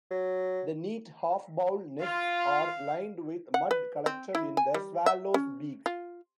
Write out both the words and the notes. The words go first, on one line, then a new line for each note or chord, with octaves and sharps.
The neat half-bowl nests are lined with mud collected in the swallows' beaks.
F#3
F4 F5
F#5
B4
C4
E4
G#5
G3
E5
C#4
F4